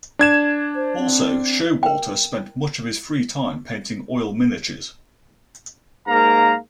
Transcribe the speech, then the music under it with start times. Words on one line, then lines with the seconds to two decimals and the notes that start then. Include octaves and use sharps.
Also, Showalter spent much of his free time painting oil miniatures.
0.19 D4 G#6 E7
0.74 C5
0.97 C4
1.83 A#4 G5
6.07 G#2 A#3 A#4 F5 A#5